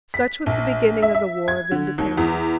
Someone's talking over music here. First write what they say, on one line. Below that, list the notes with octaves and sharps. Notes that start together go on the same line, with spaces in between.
Such was the beginning of the war of independence.
B6
A#1
E5
E5
G#6
D3
D#2
E2